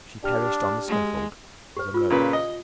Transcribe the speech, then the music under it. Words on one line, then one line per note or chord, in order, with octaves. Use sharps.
She perished on the scaffold as a murderess!
D4 G4 F6
G#3
G4 C5
F4 E6
A#2 C#3 B4
D#5